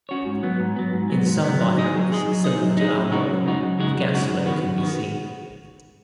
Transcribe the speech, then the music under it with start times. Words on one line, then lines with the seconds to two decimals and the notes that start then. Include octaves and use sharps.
In some binaries similar to Algol, a gas flow can be seen.
0.09 C#4 F#4 C#5
0.26 G#2
0.43 F#3 B3
0.60 G#2
0.76 F#3 B3
0.93 G#2
1.10 F#3 B3
1.26 G#2
1.44 F#3 B3
1.60 F#3
1.77 D#4 G#4 D#5
1.94 F#3
2.10 D#4 G#4 D#5
2.27 F#3
2.44 D#4 G#4 D#5
2.61 F#3
2.77 D#4 G#4 D#5
2.94 F#2
3.11 C#3 G#3 D#4 F#4
3.28 F#2
3.44 C#3 G#3 D#4 F#4
3.61 F#2
3.78 C#3 G#3 D#4 F#4
3.95 F#2
4.12 C#3 G#3 D#4 F#4
4.29 F#2
4.46 D#3 B3 F#4
4.63 F#2
4.78 D#3 B3 F#4